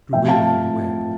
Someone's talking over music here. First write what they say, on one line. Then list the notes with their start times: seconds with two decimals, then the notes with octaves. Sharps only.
It drew in on the web.
0.12 A2 F3 C4 E5 G5
0.28 F5 A5